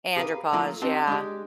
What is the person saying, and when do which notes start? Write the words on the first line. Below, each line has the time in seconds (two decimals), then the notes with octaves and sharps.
Andropause, yeah.
0.17 G4 G#4 A#4 B4 F5
0.53 F3 F#3 A3 A#3 E4 F4
0.82 C4 D4 D#4 G4 D5
1.08 G#3 D4 G4